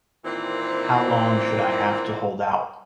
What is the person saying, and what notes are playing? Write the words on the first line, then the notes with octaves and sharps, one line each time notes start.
How long should I have to hold out?
A#2 D#3 E3 C4